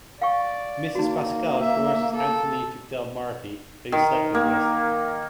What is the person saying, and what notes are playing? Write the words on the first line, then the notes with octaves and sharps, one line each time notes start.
Mrs. Pascal coerces Anthony to tell Marty that he slept with Lesly.
D5 F5 G5 C#6
A#3 D#4 F#4
E5
A4
D#3
A#3